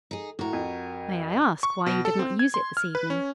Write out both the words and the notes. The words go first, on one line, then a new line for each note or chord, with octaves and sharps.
"May I ask why you did not use it this evening?"
D#4 G#4
A2 F#4 A#4
F2
C#6
B2
A4
C4
G#6
C6
F6
B4
C#4